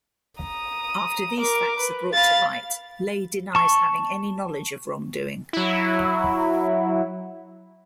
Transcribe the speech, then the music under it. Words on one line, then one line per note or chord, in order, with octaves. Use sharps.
After these facts are brought to light, Lay denies having any knowledge of wrongdoing.
A#5 D#6
A#4 D6
B4
F5 B5 A6
A5 C#6
F#3 E4